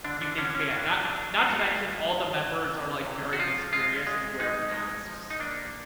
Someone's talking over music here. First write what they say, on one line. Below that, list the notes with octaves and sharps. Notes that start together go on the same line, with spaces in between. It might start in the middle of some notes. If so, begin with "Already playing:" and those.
unique band. Not not to mention all the members are, like, very mysterious and wear masks.
D3 D4
D4
D3 C#4
C#4
G2 D4
F#3 D4
F#3 F4
F#4
F4
G2
G2
G2
C3
C3
F#4
F3 F4
G#3 F4
G#3
G#3 D#4
G#3
F3
D#4
A#3 D4